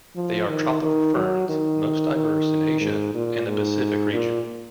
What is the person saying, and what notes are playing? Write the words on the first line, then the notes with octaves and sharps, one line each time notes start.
They are tropical ferns, most diverse in Asia and the Pacific region.
F3
D#3
D#3
F#3
D#3
D#3
G#2
A#2
G#2
A#2